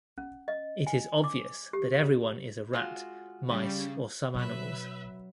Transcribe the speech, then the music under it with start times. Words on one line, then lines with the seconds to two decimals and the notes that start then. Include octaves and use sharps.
It is obvious that everyone is a rat, mice or some animals.
0.18 C#4
0.48 D#5
0.87 G#5
1.24 D6
1.73 G4
2.73 G#3 F4 F#4
3.50 C#3 G3
4.35 B2 F#3 B4 E5